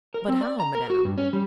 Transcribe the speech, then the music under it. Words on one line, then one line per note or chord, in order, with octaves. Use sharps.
"But how, madame?"
A#4
C4
D5
A#5
A#4
F#4
G2
C#4
G3